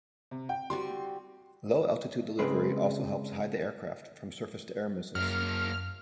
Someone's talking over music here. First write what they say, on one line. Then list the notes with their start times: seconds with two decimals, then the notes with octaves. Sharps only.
Low-altitude delivery also helps hide the aircraft from surface-to-air missiles.
0.31 C3
0.49 G5
0.70 G3 C4 F#4 C6
2.39 C#3 G#3 C4 B4
5.15 F#2 F#3 A#3 F6